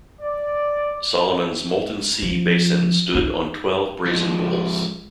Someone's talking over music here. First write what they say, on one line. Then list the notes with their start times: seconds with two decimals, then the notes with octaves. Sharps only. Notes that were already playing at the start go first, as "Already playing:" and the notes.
Solomon's "Molten Sea" basin stood on twelve brazen bulls.
0.20 D5
2.22 F3
3.15 D#4
4.06 F3 G#3